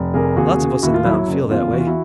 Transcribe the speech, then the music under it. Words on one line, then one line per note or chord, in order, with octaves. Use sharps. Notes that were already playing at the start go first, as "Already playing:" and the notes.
Lots of us in the mountain feel that way.
Already playing: F1
C3 G#4 A#4
D#2 F#4 G#4
C#3
D#2 E4 F#4
F4
F#3 E4
E4
F#1
E2 F4
E3 F#4
F4
E4 F#4